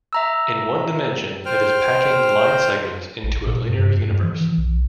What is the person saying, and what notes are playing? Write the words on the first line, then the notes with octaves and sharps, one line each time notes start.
In one dimension it is packing line segments into a linear universe.
E5 A#5 E6
C5 G5 F6
A1
A#2
G2
G2
E3
E3
B1